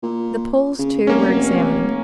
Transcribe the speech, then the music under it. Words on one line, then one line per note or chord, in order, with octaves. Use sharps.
The Poles, too, were examined.
A#2
C#3
F1 A#3 C#4